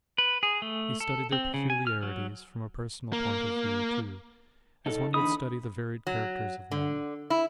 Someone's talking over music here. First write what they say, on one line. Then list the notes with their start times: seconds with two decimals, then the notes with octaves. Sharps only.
He studied their peculiarities from a personal point of view, too, as one would study the varied characters of men.
0.18 B4
0.43 G#4
0.62 A3
1.00 A4
1.32 C4
1.54 C#3
1.70 G#5
1.87 F6
2.03 F#3
3.13 A#3
4.86 D#4 A4
5.14 E2 D3 D#4 B5 D#6
6.07 F#3
6.71 D3
7.30 E4